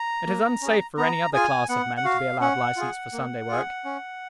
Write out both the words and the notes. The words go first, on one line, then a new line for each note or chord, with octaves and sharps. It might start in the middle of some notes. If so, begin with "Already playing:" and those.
It is unsafe for any other class of men to be allowed license for Sunday work.
Already playing: A#5
A#3
C#4 G#4
B3 A#5
F4 G#4 G#5
B3 F#5
F#5
F#4 F5
C#4 F#5
F4 G#4
A#3
F4 G#4
C#4